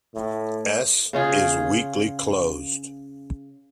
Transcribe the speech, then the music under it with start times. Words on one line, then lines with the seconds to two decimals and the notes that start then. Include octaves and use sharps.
"S"' is "weakly closed".
0.14 A2
1.13 C#3 C#4 F4 G#4